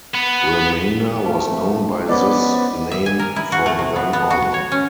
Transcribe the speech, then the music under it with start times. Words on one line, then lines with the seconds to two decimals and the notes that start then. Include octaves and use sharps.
Ramana was known by this name from then on.
0.14 B3
1.25 B2 G#3 A3 C5 A5
2.09 B3 C#4 C5 D5 D#5 D6
2.91 E5
3.06 G#5
3.19 A#4
3.36 E4
3.52 F#4
3.66 A3
3.79 C3
3.96 B3
4.13 B3
4.30 F#4
4.54 C#5
4.72 C#4